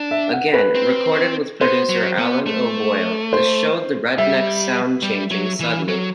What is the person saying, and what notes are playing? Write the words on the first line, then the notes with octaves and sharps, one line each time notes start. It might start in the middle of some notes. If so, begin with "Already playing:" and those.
Again recorded with producer Alan O'Boyle this showed the Redneck sound changing subtly.
Already playing: D4
E5
F#5
B4
C4
B3 C5
F#3
B3
A3
C5
G3 E5
G3
F#3
E3
F#3